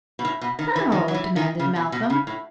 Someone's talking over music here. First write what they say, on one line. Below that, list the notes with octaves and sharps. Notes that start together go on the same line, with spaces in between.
"How?" demanded Malcolm.
B2
A2
B2
D#3
E3
D#3
F#3
E3
D#3
C#3
B2
B2
C#3
A2